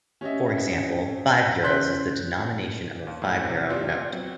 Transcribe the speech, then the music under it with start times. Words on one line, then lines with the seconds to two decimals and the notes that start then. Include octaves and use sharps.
For example, "five euros" is the denomination of a five euro note.
0.21 C#4 G4 D#5 E5
1.63 C#3 C5 C6 F#6 G6 B6
3.07 D#2 F5
3.22 F#2 A2 F3 B3
3.48 C3
3.70 E2 F4 G4 D5
4.12 F#3 B3 C4